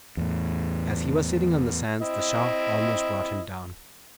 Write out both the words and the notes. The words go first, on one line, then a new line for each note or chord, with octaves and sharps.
As he was sitting on the sands the shock almost brought him down.
E2 A2
C4 E4 D#5